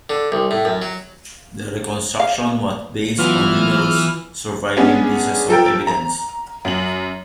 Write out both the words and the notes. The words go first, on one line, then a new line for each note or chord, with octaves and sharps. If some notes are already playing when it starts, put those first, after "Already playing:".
The reconstruction was based on numerous surviving pieces of evidence.
D3
C2
A2
F#2
F#3
F5
E3 F#3 B3 F4 F6
G#3 B3 C#4 D4 G#4
F3 A4 A#4 G5
A#5
F#2 F#7